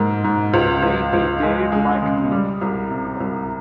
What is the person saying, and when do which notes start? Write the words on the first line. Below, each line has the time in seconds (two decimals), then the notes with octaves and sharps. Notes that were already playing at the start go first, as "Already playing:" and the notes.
Maybe they're like me.
Already playing: G#2 A#3
0.24 G#2
0.54 C#2
0.82 C#2
1.13 C#2
1.43 G#3
1.72 G#3
2.02 C#3
2.31 G3
2.61 C2
2.91 C3
3.20 C2